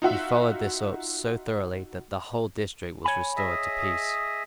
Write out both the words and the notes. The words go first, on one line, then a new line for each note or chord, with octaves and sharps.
He followed this up so thoroughly, that the whole district was restored to peace.
D#4 F4 F#4 E5
C#5 G#5 B5
G#4 D#5 E5